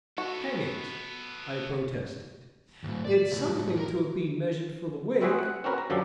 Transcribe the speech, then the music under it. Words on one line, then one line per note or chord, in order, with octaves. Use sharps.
"Hang it," I protested, "it's something to have been measured for the wig."
B3 F#4 A4
D2 A2
D5
C#2 A2
A2 G3
A#4 A#5
C4 E4 F#4 G#4 B4 C5
F#5
C4 C#4 F#4 A#4 B4
A#5
F#2 D3 F3 F#3 G4 A4